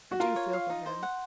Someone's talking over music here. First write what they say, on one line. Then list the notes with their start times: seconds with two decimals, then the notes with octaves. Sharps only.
I do feel for him.
0.12 F#4
0.20 F4 A#4
0.36 C#5
0.53 F5
0.70 D#4
0.86 C5
1.03 F#5